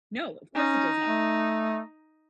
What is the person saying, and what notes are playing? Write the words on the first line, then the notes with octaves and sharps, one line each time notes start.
No, of course it does not.
C#4 D#4
A3